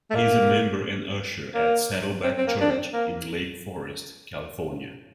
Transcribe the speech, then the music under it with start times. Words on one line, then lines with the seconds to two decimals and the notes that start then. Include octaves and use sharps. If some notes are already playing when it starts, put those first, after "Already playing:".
He is a member and usher at Saddleback Church in Lake Forest, California.
0.10 A3
0.15 A#3
1.54 A#3
2.23 C4
2.37 C4
2.47 A#3
2.61 D4
2.70 C4
2.93 A#3